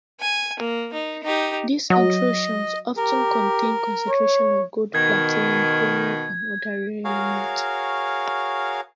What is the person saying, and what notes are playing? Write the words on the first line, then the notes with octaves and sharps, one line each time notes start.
These intrusions often contain concentrations of gold, platinum, chromium and other rare elements.
G#5
A#3
D#4
D#4 G4
F#3 D#5
G4 A#4
C#5
B2 D#3 G#6
F#4 G#4 A#4 C#5 F5